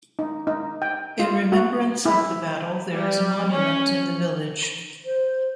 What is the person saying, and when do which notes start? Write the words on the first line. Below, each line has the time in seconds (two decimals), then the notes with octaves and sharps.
In remembrance of the battle there is a monument in the village.
0.19 D#4
0.47 D#4
0.82 G5
1.19 F4
1.52 F#4
2.05 E4
2.92 G3
3.52 C#4
5.05 C5